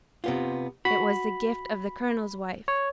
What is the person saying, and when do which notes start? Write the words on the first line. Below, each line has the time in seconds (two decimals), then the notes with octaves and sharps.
It was the gift of the colonel's wife.
0.24 C3 B3 F4
0.85 F#4 B5
2.68 C#5